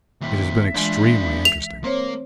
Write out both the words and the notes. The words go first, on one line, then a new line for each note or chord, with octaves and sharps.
It has been extremely interesting.
D#2 A#2 E5
E3 G#3 D4 F4
F7
A#3 C4 C5 C#5